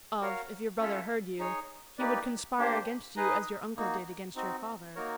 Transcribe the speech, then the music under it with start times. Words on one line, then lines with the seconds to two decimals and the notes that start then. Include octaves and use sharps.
"Of, if your brother heard you, he would conspire against you as your uncle did against your father."
0.21 F#4 A#4 C#5 F5
0.79 C#4 F4 A4 C#5 E5
1.39 D#4 G#4 C#5
1.98 A#3 D#4 G4 B4 D5
2.58 A#3 D4 G4 C5
3.17 D#4 G#4 B4 D#5
3.76 A#3 D#4 F#4
4.36 C4 D#4 F#4
4.95 A#3 D#4 F#4 A#4 C#5